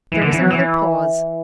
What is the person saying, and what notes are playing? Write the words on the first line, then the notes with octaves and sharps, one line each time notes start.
There was another pause.
E3
D3
E3
F#3
E3